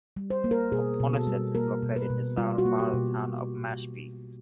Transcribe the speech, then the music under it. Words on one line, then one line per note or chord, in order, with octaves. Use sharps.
Popponesset is located in the southern part of the town of Mashpee.
G3
C5
A#3
A#4
B2 G#4
B2
A4
G3
A#3 A#4
B2
B4
B2
G3 F4
F#4
A#3
G4
B2